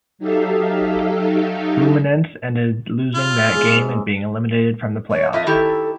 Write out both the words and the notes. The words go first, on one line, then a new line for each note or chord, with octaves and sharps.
Fluminense ended losing that game and being eliminated from the playoffs.
F#3 D#4 G4 A4 E5 F5
E4 F4 C#5 E5
B2 C#5
G#2 G#3
G#2 C3
C#5
F2 F4 D#5 E5
D#3 E4 G4 A4